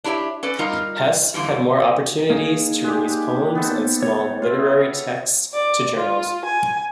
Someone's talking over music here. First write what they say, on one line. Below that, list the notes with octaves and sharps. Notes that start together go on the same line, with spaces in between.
Hesse had more opportunities to release poems and small literary texts to journals.
D4 E4 G4 C#5 E5
C#4 A4 B4 D5
G3 D#4 F4 A#4 D#5
F2 D3 E3 G3
A#3 D#4 G#4 C#5
G#3 G4
B3 A4 C5
C#5
F4 E5
D5
F4
G#5